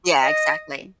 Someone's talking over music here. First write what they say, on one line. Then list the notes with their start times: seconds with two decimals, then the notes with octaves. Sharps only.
Yeah, exactly.
0.23 D#5